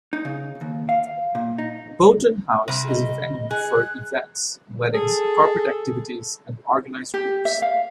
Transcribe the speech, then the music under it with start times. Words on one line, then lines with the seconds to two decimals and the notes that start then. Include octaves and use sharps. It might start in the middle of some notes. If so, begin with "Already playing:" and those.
Boughton House is a venue for events, weddings, corporate activities and organised groups.
0.13 D#4
0.25 C#3
0.61 D#2
0.89 F5
1.35 A#2
1.58 D#4
2.68 C3 G3
2.88 D#5
3.51 G#4 F#6
4.94 G#4 A4
7.14 G4
7.45 E5
7.62 F5